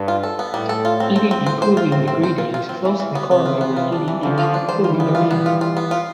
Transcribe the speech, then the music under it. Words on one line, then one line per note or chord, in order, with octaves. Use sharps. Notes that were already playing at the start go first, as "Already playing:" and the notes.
Heating and cooling degree days closely correlate with heating and cooling demand.
Already playing: G2
F4
A4
B3
A2 G3
A4
F4
C4
C4
C4
A2 C5
C5
F4
A2 C3 C4
C4
C5
F4
F4
C4
E3
E3
B3
C3 E3 B3
F4
B3
F4
D4
E3
D3 E3 F3
F4
D4
E3 G3 C5
F4
B3
F4
B3
F4
F4
B3
F4